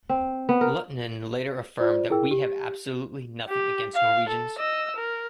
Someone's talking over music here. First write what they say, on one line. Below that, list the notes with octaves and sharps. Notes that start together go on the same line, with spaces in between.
Luttinen later affirmed that We have absolutely nothing against Norwegians.
C4
B3
A#4
F4 C5 D5
E4 G#4 A#4 G5 E6
G4
G4
F5
A4
D#5 E6
A#4